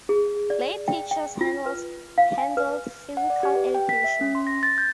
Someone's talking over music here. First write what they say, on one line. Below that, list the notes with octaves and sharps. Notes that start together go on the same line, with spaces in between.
Lay teachers handled physical education.
G#4
D5
G5
G5
F4
B4
F5
G#5
B4
F#5
D5
G4
B4
G5
B6
E5
C#4
C6
A#6
A6
G6